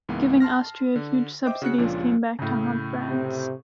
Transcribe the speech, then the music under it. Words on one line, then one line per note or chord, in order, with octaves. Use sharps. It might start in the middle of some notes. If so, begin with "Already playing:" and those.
Giving Austria huge subsidies came back to haunt France.
C#2 G#2 E3 A#3 B3
A5 C6 F6 A#6
D3
C5 D#5 E5 G5 D6
C#3 F#4 F#6 C#7
C#2 A#2 F3 C#4 D4 F4
A2 C#3
C3